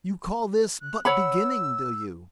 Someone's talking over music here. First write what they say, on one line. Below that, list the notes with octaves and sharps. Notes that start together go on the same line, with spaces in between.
You call this but beginning, do you?
F#6
C#5 F#5 B5 E6